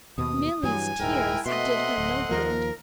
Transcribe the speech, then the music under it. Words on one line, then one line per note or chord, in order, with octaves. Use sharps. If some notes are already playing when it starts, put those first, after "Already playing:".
Milly's tears did her no good.
D#2 B2 D#6
G2 E3 F#3 G#5
D#1 G#2 G#3 E4 A#4 G5
B2 A3 C4 D#5 E5 F#5 C6
D1
D#2 F3 A#3 A#4